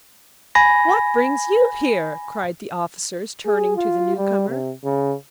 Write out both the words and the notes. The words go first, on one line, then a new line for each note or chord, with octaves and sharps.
"What brings you here?" cried the officers turning to the newcomer.
G#5 B5 A#6
G#4
F4
G3
C3
C#3